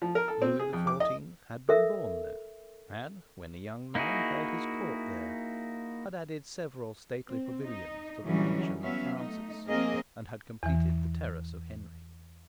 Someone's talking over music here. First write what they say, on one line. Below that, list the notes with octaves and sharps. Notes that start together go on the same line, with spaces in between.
Lewis the Fourteenth had been born there, had, when a young man, held his court there, had added several stately pavilions to the mansion of Francis, and had completed the terrace of Henry.
F3
A#4
A4
C4
G#4
F2
D6
D#5
A4 A#4 E5
A#3 D#4 E4 F#4 G#4
C4
D#4
D3 E3 F#3 G3 C#4 D#4
F#3 B3 C#4 E5 F5
A3 D#4
F3 A#3 C4 G#4 A#4 D#5
E2 E3